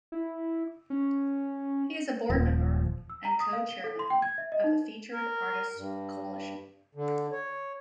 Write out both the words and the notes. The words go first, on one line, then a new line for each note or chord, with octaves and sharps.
He is a board member and co-chairman of the Featured Artists' Coalition.
E4
C#4
D#1 F3
E6
A#5
D#6
F5
G7
A4
C6
G5
G#6
E5
D#5
D#4
A#4
G2
D3
C#5